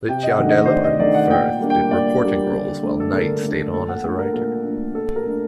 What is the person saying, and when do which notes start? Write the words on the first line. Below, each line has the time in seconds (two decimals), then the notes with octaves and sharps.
Licciardello and Firth did reporting roles while Knight stayed on as a writer.
0.09 C3 G5
0.23 D#5
0.29 F#5
0.39 D#3 A3 D4
0.49 D#5
0.66 C5
0.69 C3 D5
0.84 D#5
0.99 D#3 A3 D4 D5
1.14 F#5
1.30 A#2 G5
1.60 G3 A#3 D4
1.70 G5
1.91 A#2 D5
2.21 G3 A#3 D4
2.53 D3
2.83 A3 D4
3.00 A4
3.12 D3 A#4
3.43 A3 D4
3.73 A#2 A4
3.88 F#5
4.04 A3 D4 F#5
4.19 A#4
4.34 A#2 A#4
4.64 A3 D4
4.95 A#2 A4
5.16 A#4
5.26 A3 D4